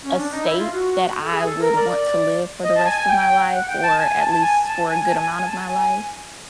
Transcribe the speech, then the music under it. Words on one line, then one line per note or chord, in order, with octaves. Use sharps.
a state that I would want to live for the rest of my life or at least for a good amount of my life.
C#4
D4
D#4
E4
F4
F#4
A4
G#4
A4
A#4
D5
D#5
A5
G#5
G#5
G5
F#5
G5
A5
G#5
G#5
A5
A5
G#5
A5
G#5
G#5
A5
G#5
G#5
A5
G#5